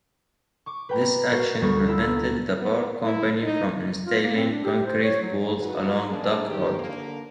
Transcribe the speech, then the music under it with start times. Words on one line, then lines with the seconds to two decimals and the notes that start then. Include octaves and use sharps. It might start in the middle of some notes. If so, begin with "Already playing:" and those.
This action prevented the power company from installing concrete poles along Duck Road.
0.66 C#6 D6
0.89 B4 G5 A#5
1.31 F#4 A#4 C5
1.62 D2 G3 C#6
1.87 E4 F4 E5 A#5 E6
2.60 B3
3.03 E4
3.42 D#4
4.05 F4
4.24 A#3
4.35 C4
4.51 D4
4.64 G4
4.86 C5
5.03 C#5
5.22 F#3
5.58 F3 F#3 D4 F#4 A#4 B4
6.07 A#3 D4 G#4
6.47 D#3 G4
6.79 D3 A#3